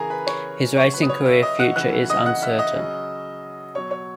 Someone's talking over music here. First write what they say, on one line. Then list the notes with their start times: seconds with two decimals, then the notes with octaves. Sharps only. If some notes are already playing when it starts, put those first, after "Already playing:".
His racing career future is uncertain.
Already playing: C#3 E3 G#4 A#4 G#5 A#5
0.10 B4 B5
0.27 C#5 C#6
0.76 C#3 F#3 C#5 C#6
0.94 B4 B5
1.02 D#6
1.09 C#5 C#6
1.26 E5 E6
1.43 D#5 D#6
1.59 F#5 F#6
1.76 C#3 E3 F#5 F#6
2.10 D#5 D#6
2.26 F#5 F#6
2.42 E5 E6
2.58 D#5 D#6
2.76 C#3 F#3
3.74 B2 F#3 C#5 C#6
3.91 C#5 C#6